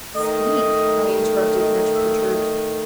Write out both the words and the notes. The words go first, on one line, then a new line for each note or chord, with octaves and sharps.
"Speak," I interrupted, much perturbed.
D#3 A3 D#5
D#5
E5
D#5